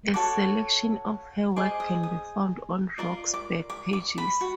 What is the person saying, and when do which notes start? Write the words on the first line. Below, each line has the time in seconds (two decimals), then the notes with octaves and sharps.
A selection of her work can be found on Rock's Back Pages.
0.14 F#4 A4 C#5 D6
1.56 G#4 C5 D#5 D6
1.80 D#6
2.03 D#6
2.98 F4 A#4 D5 D6
3.34 D6
3.70 D6
3.93 D6
4.18 B5
4.41 F#4